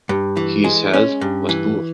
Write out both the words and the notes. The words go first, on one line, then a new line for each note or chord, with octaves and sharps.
His health was poor.
G2
E3
G#3
C#4
G2
E3